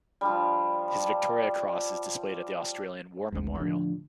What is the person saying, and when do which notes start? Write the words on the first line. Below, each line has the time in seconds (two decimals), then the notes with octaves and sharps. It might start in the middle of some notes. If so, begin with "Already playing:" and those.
His Victoria Cross is displayed at the Australian War Memorial.
0.21 F3 G3
3.33 G#1 D2 G#2
3.59 A2 D3 F3